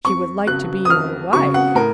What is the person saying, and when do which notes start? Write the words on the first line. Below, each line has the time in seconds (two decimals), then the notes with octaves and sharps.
"She would like to be your wife!"
0.05 F2 C#6
0.47 C#3 F#3 F#6
0.85 D#6
0.90 F2 F6
1.33 C#3 F#3 C#6
1.54 F#5
1.75 A2 A#4